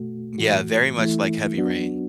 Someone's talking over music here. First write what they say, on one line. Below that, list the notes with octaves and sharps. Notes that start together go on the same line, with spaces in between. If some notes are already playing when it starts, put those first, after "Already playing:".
Yeah, very much like Heavy Rain.
Already playing: B2 A3 F#4
A2 E3 A3 F#4
E3 A3 E4
F#3 B3 D4 F#4